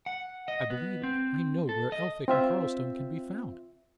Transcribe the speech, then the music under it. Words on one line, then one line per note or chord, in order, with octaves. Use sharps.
I believe I know where Elphick and Cardlestone can be found.
F#5
D#5
B3
C4
A4
D#5
C4 F4 E5